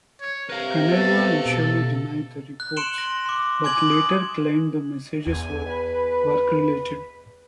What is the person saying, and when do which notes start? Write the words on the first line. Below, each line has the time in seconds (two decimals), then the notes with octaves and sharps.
Kanerva initially denied the reports but later claimed the messages were work related.
0.21 C#5
0.50 C3 A#4 B4 F5
0.92 B3 A4
1.46 B2 A4
2.60 F#6
2.76 C6 C#7 D7 E7 F#7 G7
2.98 A#6
3.26 C6 D6
3.64 G#5 D6 G#6 F#7
3.91 D#6
5.27 E2 G#5
5.69 B4